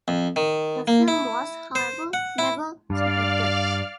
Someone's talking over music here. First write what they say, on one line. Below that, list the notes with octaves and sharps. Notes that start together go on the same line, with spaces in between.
The film was, however, never completed.
F2
D#3
A#3
E4
C5
F#5
E4
G2 D5 F5 F6